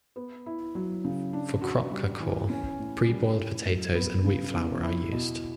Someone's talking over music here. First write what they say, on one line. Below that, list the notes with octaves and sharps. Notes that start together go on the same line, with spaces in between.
For kroppkakor, pre-boiled potatoes and wheat flour are used.
B3
E4
F#3
C#3
D4
F#4
G3
E3
C#4
A2
G3
A2
F#3
B3
C#3
E2
E4
B2